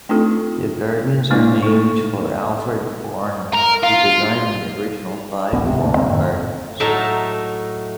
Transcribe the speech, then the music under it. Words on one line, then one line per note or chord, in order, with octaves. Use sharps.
The gardens are named for Alfred Boerner, who designed the original five formal gardens.
A3 C4 D4 D#4 F4 A4
G#3 A#3 D4 E4 C5
D#4 A4
A#4
F4
D1 A1 D2 B3
E1 C#2 G#2 C3
D2 C3 A3 A#3
G#3 A#3 C4
F#2 A2 D#3
A2 F#3 D#4 E5 A5 A#5